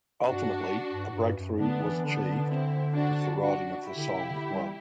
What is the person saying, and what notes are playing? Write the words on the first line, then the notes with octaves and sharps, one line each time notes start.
Ultimately, a breakthrough was achieved with the writing of the song "One".
G2 D4 F#4
G2
A2
G2
F#2
D3 B3 D4
E3
D3 B3 D4
C4 E4
D4 F#4
D4 F#4
E4 G4
D3
C3
D3
G3